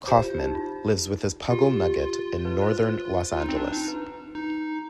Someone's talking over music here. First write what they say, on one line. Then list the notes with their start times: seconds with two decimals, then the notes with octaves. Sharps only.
Kaufman lives with his puggle Nugget in northern Los Angeles.
0.07 G4 C5
0.24 F4
0.39 D#4
0.51 D#4
0.55 F4
1.50 F4 G4
2.45 B4
2.62 C5
2.78 C5
3.32 F4
3.40 D#4
3.49 C4
3.56 D4
3.73 D#4
3.88 B4
4.35 D#4